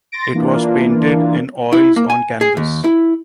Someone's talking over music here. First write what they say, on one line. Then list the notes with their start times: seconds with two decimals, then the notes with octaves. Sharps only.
It was painted in oils on canvas.
0.12 C6 A6 A#6 D7
0.34 E3 A#3 D4 F4
1.72 E4
1.96 A#3
2.10 G#5
2.41 G#4
2.57 D#2
2.84 E4